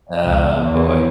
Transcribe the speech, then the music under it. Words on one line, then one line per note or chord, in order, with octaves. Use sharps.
Oh boy.
C#2
E2